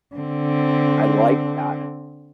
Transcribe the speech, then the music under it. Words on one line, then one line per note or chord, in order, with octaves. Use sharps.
I like that.
D3 C4